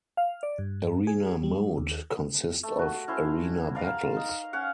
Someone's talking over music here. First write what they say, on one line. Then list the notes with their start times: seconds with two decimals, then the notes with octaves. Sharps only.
Arena Mode consist of arena battles.
0.17 F5
0.43 D5
0.58 G2
1.07 G#4
1.43 G3
1.78 D#2
2.63 A3
2.79 F#4
3.08 C#4 E4 C5
3.75 A#4 D5 F5 A#5
4.17 D#4
4.53 C#4 F5 F#5